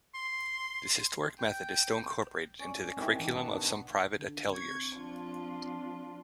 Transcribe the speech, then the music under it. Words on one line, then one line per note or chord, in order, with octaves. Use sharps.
This historic method is still incorporated into the curriculum of some private ateliers.
C6
G5
C#4 D5
D#3 G3 C4 E4 D#5
E3 A#3 D4 G4
B2 F#5 A5 A#5
D4 B4
D3
C4 C#6 G#6
F3 D4 F4